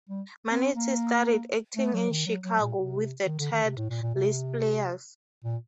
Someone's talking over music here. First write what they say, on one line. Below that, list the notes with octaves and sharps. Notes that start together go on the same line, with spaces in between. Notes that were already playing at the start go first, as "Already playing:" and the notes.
Manetti studied acting in Chicago with the Ted List Players.
G3
C4
A#3
A3
F#3
D#3
F#3
F#3
A#2
C3
D#3
D3
D#3
C3
A2
A#2
A#2
C3
A#2